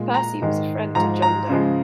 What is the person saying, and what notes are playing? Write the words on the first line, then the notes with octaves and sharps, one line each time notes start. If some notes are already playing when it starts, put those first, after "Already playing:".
Percy was a friend to John Donne.
Already playing: A#2 G#3
A#5
G#2 D#3 G#3
G#2 F3 G#3 A#5
A#5
C#3 F3 G#3